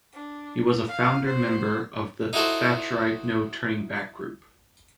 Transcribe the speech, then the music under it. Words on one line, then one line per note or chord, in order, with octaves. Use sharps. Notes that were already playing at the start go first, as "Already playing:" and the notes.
He was a founder member of the Thatcherite No Turning Back group.
D4
F5
F#4 C5
D#4 E4 F#4 A4 C5